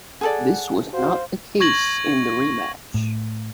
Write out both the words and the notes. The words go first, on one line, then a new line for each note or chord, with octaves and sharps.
This was not the case in the rematch.
G#4 A4 D5 F#5
F#4 C5 F5
C#6 G#6 A#6 F#7
A2